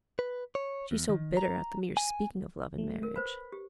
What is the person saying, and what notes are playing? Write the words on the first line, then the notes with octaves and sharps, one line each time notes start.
She's so bitter at the mere speaking of love and marriage.
B4
C#5
E2
D#3
A#5
G#5
A3
A#4
B4 C5 B5
G4